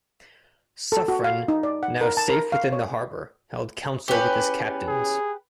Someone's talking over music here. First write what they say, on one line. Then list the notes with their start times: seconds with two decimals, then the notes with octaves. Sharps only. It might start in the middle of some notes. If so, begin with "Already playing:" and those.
Suffren, now safe within the harbour, held council with his captains.
0.92 A4
1.08 F#4
1.24 F5
1.48 D#4
1.63 D5
1.83 F#5
2.01 A#4
2.17 A5
2.29 A#4
2.52 F5
2.73 C#5
4.08 E2 C#4 G4 B4
4.87 G#4